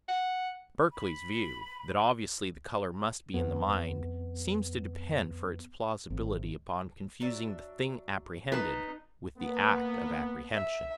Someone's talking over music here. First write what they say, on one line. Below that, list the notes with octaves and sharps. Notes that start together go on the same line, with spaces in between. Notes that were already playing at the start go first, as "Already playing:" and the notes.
Berkeley's view, that obviously the colour must be in the mind, seems to depend for its plausibility upon confusing the thing apprehended with the act of apprehension.
F#5
B5
F2 B3
G#1
F#3 D4 E5
D#4 B4 A5
A#3 B3
E5